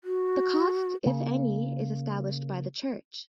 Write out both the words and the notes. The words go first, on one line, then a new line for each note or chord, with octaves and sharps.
The cost, if any, is established by the church.
F#4
C#3 A#3